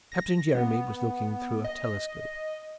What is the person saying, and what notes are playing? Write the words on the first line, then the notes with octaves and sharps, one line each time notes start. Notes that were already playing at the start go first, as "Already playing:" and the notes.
Captain Jeremy was looking through a telescope.
A#6
B3
D#5